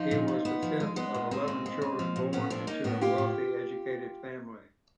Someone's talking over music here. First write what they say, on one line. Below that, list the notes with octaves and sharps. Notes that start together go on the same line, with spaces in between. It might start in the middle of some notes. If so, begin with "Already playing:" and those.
He was the fifth of eleven children born into a wealthy, educated family.
Already playing: F3 D#4 F4
A#2
A#2
B3
F3
G#3
G#3 B3
A#2
G#3 C4
A#2
G#3
G#3
F3
A#2
A2 B3 C#4
F3 C4 D4
A#3 C#4 D#4
A2 B3 C#4
A2 F4 G4
A2